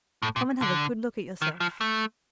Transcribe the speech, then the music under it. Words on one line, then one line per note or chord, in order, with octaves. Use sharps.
"Come and have a good look at yourself."
A2
A#2
D3
D#3
F3
A3